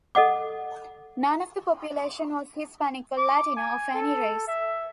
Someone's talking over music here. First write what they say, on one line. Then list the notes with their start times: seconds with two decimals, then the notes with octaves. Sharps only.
None of the population was Hispanic or Latino of any race.
0.15 A4 D#5 F#5 D6
3.17 D6
3.56 G#5
3.94 A4
4.47 E5